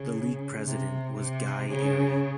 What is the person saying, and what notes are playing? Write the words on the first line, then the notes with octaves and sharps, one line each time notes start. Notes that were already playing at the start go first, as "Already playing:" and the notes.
The league president was Guy Airey.
Already playing: C#3
C3
C3
C#3